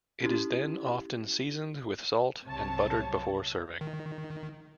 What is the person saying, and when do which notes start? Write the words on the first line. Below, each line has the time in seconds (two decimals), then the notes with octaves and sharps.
It is then often seasoned with salt and buttered before serving.
0.23 C#4 E4 G4
2.48 C2 C3 F#3 C#5 A5
3.81 D#3